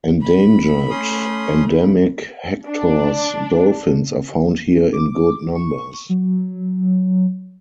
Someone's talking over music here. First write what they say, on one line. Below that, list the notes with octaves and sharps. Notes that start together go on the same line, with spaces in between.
Endangered, endemic Hector's dolphins are found here in good numbers.
B5
A3 C#4 C6 D#6
D4
D6
C#6
F#3